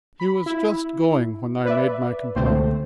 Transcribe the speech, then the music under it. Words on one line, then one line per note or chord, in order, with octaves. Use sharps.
He was just going when I made my complaint.
B5
E4
B4 D5 E5
C#2 B2 D3 A3 C4 C5